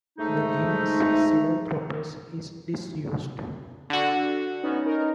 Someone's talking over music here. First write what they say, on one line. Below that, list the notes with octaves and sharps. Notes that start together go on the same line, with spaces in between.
The genus "Sinanthropus" is disused.
G#2 A3 D#4
D3 F#4
B3 C#4 D#4
C#4 D#4 A#4